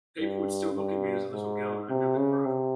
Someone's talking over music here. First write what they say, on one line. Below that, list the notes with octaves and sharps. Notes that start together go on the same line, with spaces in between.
People would still look at me as a little girl and I'd never grow.
G2
G2
G#2
C3
C#3
C3